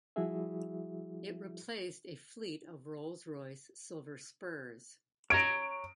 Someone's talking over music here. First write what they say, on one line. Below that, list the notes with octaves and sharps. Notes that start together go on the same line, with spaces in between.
It replaced a fleet of Rolls-Royce Silver Spurs.
F3 G3 E4 F#4 G#4 E5
C#5 A#5 D7